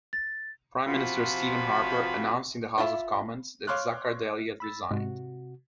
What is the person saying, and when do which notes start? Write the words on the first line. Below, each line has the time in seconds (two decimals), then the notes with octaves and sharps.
Prime Minister Stephen Harper announced in the House of Commons that Zaccardelli had resigned.
0.13 A6
0.86 C3 F3 F4 F#4 B5
2.78 D4 F4 E5 B5
3.67 C#5 F5 C6 D6 F6 F#6
4.60 B5 E6 A6
4.91 G#2 C3 F#4